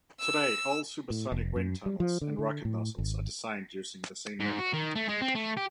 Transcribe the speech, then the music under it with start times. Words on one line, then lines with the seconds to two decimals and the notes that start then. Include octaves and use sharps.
Today, all supersonic wind tunnels and rocket nozzles are designed using the same method.
0.20 E6
1.10 A2
1.32 F1
1.56 F#2
1.86 G3
2.00 F3
2.21 D3
2.39 D3
2.65 A2
2.98 G#1
4.40 G#2
4.59 F#4
4.73 D#3
4.95 A3
5.09 G#3
5.21 C4
5.35 A3
5.57 G4